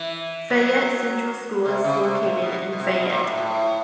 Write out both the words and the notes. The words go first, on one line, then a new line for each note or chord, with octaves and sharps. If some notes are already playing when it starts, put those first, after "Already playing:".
Fayette Central School is located in Fayette.
Already playing: E3
F#3
C3
C#3
C3
A#2
B2
B2
C3
B2
A#2
A2
A2